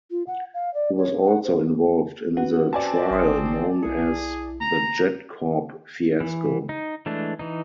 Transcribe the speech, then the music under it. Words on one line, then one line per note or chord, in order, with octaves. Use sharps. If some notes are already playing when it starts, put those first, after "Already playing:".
He was also involved in the trial known as the JetCorp fiasco.
F4
F#5
F5
D5
C#5
F#5
C5
C#4 F#4 B4 F#5
C4 D5 G#5 A5
G#1 C6 D#6
B1 E4 G#4
A#5
E3
D#4
E3 G#3 A3 D4
E3 D#4